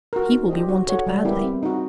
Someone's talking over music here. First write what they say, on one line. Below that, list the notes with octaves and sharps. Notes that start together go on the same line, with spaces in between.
He will be wanted badly.'
F#4 A#4
D#4
G4 C5 D#5
F#4
A4 C#5 F#5
G3
B3 E4 G4 A#4
C4
D#4 F#4